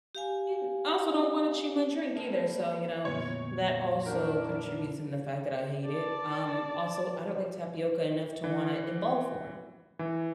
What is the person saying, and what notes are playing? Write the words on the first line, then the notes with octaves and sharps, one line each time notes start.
you know, I also don't wanna chew my drink either, so, you know, that also contributes in the fact that I hate it. Um, also, I don't like tapioca enough to wanna involve more.
G4 F5 G#5
A#3 C4 E4 A4 D#5 A5
F2 A#2 D3 A3 B3 C#5
D4 E4 A#4 F#5 G6
D5 A5
E3
E3